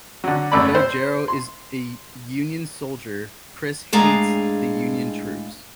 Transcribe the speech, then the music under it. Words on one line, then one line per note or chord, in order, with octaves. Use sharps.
Though Jethro is a Union soldier, Chris hates the Union troops.
D3 F#3
G#1 F#2 A3 D5 B5
C5
C6
A2 G#3 D4 G#4 F5 A#5